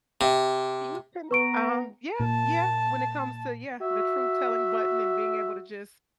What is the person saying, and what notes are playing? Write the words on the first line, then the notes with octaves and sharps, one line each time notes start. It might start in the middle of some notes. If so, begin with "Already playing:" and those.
You can, um Yeah, yeah, when it comes to yeah, the truth-telling button and being able to just
C3
B3 B4 A#5 C#6 D7
A#2 A5
F#4 E5